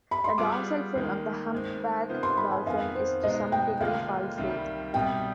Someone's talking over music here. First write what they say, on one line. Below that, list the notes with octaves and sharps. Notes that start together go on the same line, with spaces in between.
The dorsal fin of the humpback dolphin is to some degree falcate.
B5
C6
G3 B3 F4 G#4 D6
D#2 D#3 G#3
D#3 G#3 C4
C3 D#3 B3 F4 C5
C6
B5
G#5
F2 D#3 B3 F5
C5
B2 G#3 B3 D#4 D#5
G5
D#2 D3 G#3 D4 F4 F5
C2 C3 D#3 G3
C2 B2 G3 G5